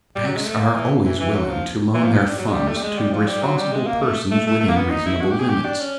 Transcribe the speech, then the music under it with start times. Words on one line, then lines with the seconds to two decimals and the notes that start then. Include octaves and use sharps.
Banks are always willing to loan their funds to responsible persons within reasonable limits.
0.16 G3
0.25 F#3
0.35 G#3
0.46 A3
0.60 A#3
0.75 E3
1.05 E3
1.20 E3
1.34 F#3
1.49 F3
1.94 E3
2.03 F3
2.13 F3
2.23 G3
2.38 F#3
2.48 G#3
2.53 G3
2.68 A3
2.77 G3
2.83 G#3
2.98 G3
3.12 F3
3.27 G3
3.42 F#3
3.57 G3
3.72 G#3
3.87 A#3
4.02 A3
4.31 A3
4.47 A3
4.60 A3
4.68 A#3
4.76 B3
4.91 D#4
5.06 E4
5.21 F#4
5.31 G4
5.40 G#4
5.50 G4
5.65 D4
5.80 C#4